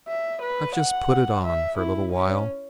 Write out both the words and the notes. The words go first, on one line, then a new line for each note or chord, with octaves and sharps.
I've just put it on for a little while.
E5
B4
F#5
E5
E4
C#4